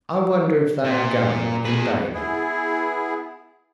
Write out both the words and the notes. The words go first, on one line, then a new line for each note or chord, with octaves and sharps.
"I wonder if they are going in bathing."
A#2
G#4 B4
B3 E4 G#4